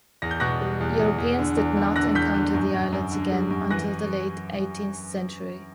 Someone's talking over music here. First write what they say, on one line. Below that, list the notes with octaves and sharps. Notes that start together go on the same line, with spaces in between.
Europeans did not encounter the islands again until the late eighteenth century.
E2 A#6
G6
B2 F#6 A#6
G3
E2
E2
E2
D3
E2
D3
D3 F#6 A#6
E2 G6 B6
D3
F#2
F#2
F#2
D3
G3
F#2
E3 F#6 A#6